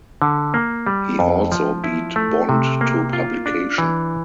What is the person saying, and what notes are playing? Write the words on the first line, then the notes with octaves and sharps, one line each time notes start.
He also beat Bond to publication.
D3
A#3
G3
F2
F3
E4
A3
C3
A#3
F4
D4
E3